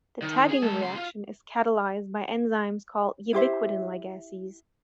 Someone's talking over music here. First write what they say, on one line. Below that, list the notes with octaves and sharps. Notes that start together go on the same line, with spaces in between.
The tagging reaction is catalyzed by enzymes called ubiquitin ligases.
D#3
G#4
G#3 A5
C#3 C6
F4
E4 G4 C5 E5